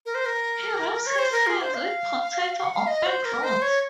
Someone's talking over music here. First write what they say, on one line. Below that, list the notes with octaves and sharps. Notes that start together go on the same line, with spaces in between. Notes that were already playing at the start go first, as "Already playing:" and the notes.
He rubs his hands with potato or fern root.
A#4
C5
A#4
C#5
C5
A#4
F4
C5
F5
F#5
F5
D#5
C5
A#4
C5
C#5